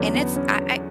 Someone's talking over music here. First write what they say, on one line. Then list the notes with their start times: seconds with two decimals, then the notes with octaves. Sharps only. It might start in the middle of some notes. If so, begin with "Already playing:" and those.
And it's I I
Already playing: E2 D3 F#3 A3 B3 C#4 D4
0.15 B3
0.36 C#4